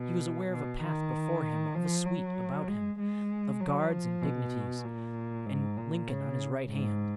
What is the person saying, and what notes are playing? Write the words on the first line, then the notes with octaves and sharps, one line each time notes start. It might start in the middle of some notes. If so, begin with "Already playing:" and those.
He was aware of a path before him, of a suite about him, of guards and dignities, and Lincoln on his right hand.
Already playing: B2
B2
D#3
F3
F#3
G#3
G#3
F#3
F3
B2
A#2
G#2
A#2
C#3
G#2